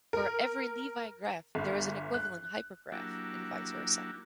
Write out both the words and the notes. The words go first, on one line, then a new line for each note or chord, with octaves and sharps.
For every Levi graph, there is an equivalent hypergraph, and vice versa.
A#4
G1
F#6
F#3 A#3 D4 E4 F#4 G4